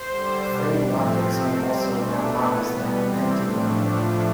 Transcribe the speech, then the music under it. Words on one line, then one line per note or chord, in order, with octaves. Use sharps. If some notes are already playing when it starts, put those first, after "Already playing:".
Free logics may also allow models that have an empty domain.
Already playing: C5
D3 G3
B2 G3 D4
A2 F3 A3 C4
C3 F3 A3
C3 G3 C4
B2 A3 D4
A2 E3 A3 B3
B2 G3
C3 E3 G3 C4
A2 F3 A3 D4